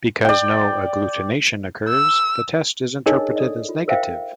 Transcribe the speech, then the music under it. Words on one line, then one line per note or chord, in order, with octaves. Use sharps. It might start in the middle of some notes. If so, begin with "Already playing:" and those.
Because no agglutination occurs, the test is interpreted as negative.
D5 G5
E6
D4 D#4 G#4 A#4 C#5 D#5
A4 D5 D#5
F4
A#4 C5 E5 F5 G5